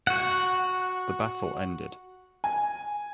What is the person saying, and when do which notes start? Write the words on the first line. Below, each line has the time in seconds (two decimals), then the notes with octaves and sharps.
The battle ended.
0.07 F#4 F#5
2.44 G#5